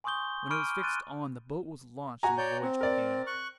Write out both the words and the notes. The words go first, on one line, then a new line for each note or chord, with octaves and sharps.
When it was fixed on, the boat was launched and the voyage began.
G#5 C6 C#6 D#6 G6 G7
B5 C#6 D6 F6 D7 D#7
C6 F#6 A6 D7 D#7
F#4 G#5 A#5
C#5 D5 G6
C4
A#4 D5
C#6 F#6